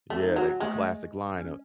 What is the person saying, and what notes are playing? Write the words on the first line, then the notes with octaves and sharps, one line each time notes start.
Yeah, they the classic line of
A3
D#4
F#3
G#3 A3
C#4